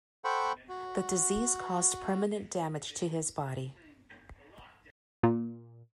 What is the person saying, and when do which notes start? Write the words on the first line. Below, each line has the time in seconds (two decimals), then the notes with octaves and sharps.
The disease caused permanent damage to his body.
0.25 A4 C5 F#5 G5 B5 C#6
0.69 F#4
5.23 A#2